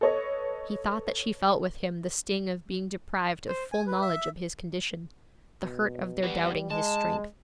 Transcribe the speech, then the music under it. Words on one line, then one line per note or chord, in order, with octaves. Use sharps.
He thought that she felt with him the sting of being deprived of full knowledge of his condition, the hurt of their doubting his strength.
A4 B4 C#5 D#5
C5
G#5
B4
E5
B2
E3 G3 B3
G#3 A5